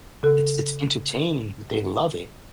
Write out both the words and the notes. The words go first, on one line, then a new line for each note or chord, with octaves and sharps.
It's it's entertaining that they love it.
C#3 A4